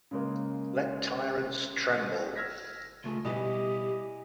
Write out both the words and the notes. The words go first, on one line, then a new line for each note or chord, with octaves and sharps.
Let Tyrants Tremble!
C#3 G#3 A#3
E6 F6 G#6 A#6 B6
C#2 A3 F4 G#4
B2 E3 G3 G4 B4 D#5